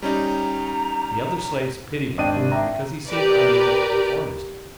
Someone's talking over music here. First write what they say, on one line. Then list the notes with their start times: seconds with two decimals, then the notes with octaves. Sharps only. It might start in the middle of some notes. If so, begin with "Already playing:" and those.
The other slaves pitied him because he seemed unable to perform his task.
0.02 G3 C#4 D#4 A#5
2.18 G#1 D4 D#5 G5 D#7
2.37 C3
2.52 E5 G5 A#5
3.08 G4 A#4 B4 D5